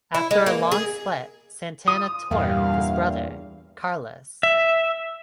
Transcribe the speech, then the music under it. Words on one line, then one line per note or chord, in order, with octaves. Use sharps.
After a long split, Santana toured with his brother, Carlos.
E4
G#3
A#3
G#4
F4 D#6
E2 G2 A#2 G3 F5
E5